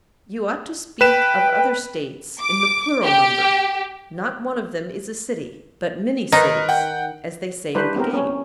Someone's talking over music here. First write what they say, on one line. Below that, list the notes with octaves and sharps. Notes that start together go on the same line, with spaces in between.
You ought to speak of other States in the plural number; not one of them is a city, but many cities, as they say in the game.
B4 G5 E7
D6
G4
D#3 D#4 A#4 B4
F#5 G5
G3 D4 E4 B4 C5
B3 C4 G4 A#4
C#4